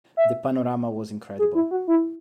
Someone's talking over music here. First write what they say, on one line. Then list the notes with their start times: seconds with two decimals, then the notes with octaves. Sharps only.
The panorama was incredible.
0.17 E5
1.39 G#4
1.55 E4
1.71 F#4
1.88 E4